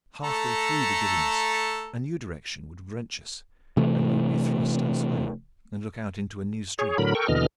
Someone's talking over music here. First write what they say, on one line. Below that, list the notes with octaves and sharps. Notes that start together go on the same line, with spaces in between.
Halfway through the giddiness, a new direction would wrench us and we would be thrust elsewhere, and look out into a new street.
A3 A4 A#5
C3 E3 A3
G#4 C#5
A2 D3 F#3 A#4 B5
A4 A#4 G5 C#6
D#2 B2 D3 E3 D#5 F6